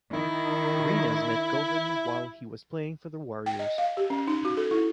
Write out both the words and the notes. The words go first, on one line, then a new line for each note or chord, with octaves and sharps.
Arenas met Govan while he was playing for the Warriors.
D#3 E4
G5
D#5
F5
G4
C#4
D#4
F#4
A4
E4